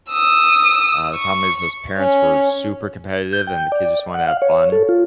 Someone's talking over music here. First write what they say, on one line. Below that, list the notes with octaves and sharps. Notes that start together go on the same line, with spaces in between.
uh, the problem is those parents were super competitive, and the kids just wanna have fun,
D#6 E6
C#6
C#4
G6
G5
D5
F#5
F5
C#5
A4
F4